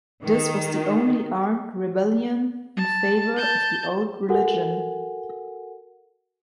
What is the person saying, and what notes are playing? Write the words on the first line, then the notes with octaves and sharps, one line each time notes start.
This was the only armed rebellion in favor of the old religion.
D#3
A5
A5 G6
F#4 A4 A#4 F#5 G#5